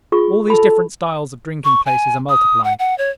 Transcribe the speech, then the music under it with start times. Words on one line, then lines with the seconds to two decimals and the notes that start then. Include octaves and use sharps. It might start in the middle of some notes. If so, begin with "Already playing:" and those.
All these different styles of drinking-places are multiplying.
0.12 F4 G#4 C#6
0.50 A4 B5
1.65 C#6
1.86 G#5
2.29 D#6
2.64 F#5
2.79 F#5
2.98 C#5